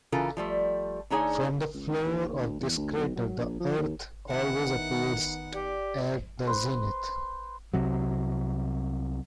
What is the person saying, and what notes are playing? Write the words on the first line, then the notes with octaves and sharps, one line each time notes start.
From the floor of this crater the Earth always appears at the zenith.
C#3 E3 F4 A4 A#4
F3 G3 A3
D3 A3 D#4 G#4 C#5 G#5
C#2
D#2
D2
E2
D2
B1
F#3
A#1
F3
D#2
D#3 B3 D#4 E4 B4 F#5
G4 D5
B4 C5
C2 C3 F#3